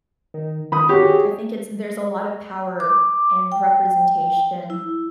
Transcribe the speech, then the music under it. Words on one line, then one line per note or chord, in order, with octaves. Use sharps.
I think it's there's a lot of power and representation,
D#3
D#3 B5 D#6
F#4 G4 C#5
G#4
D6
G5
E4